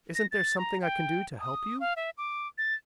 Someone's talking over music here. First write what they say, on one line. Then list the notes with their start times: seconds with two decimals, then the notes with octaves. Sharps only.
"Isn't there something I can do to help you?"
0.15 A#6
0.32 A6
0.58 A#5
0.82 G5
1.40 D#6
1.80 F5
1.96 E5
2.18 D6
2.58 A6